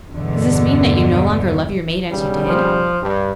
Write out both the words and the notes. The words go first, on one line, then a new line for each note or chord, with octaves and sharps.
Does this mean that you no longer love your mate as you did?
E2 G2 B2 D3
B1 C#3 G3
F3
G2